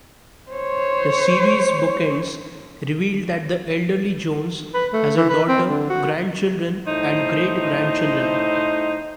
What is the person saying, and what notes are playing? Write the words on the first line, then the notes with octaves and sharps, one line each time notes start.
The series' bookends revealed that the elderly Jones has a daughter, grandchildren, and great-grandchildren.
C5 C#5
B4
A3
E3
B4
C4
D3
F#4
A2 D#4 C5